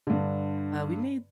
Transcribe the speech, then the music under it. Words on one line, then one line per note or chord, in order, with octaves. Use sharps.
uh, we made
G2 D3